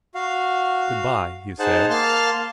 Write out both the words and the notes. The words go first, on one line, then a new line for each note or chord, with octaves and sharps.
"Good-bye," he said.
F#4 F5
D#4 G#4 C5 F#5 A5
A#3 F5 A5 C6 F6